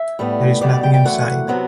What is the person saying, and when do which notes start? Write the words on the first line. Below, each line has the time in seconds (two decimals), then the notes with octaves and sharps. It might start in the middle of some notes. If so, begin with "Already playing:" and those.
There is nothing inside.
Already playing: E5
0.19 A2 G3 B3
0.61 E2 B2 G3 D5
0.73 D5
0.83 G5
0.94 G5
1.05 F#2 E3 A3 F#5
1.48 C3 F#3 B3